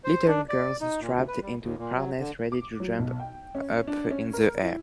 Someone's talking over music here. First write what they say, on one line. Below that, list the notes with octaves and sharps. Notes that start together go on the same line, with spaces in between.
Little girls strapped into harnesses ready to jump up in the air.
C5
D4
D5
D#4
A#2
D2
B4
G3
D#2
A#2
F#3
D3
D6
F#3
B1
G5
C#4
D4
C#4
A#4
E4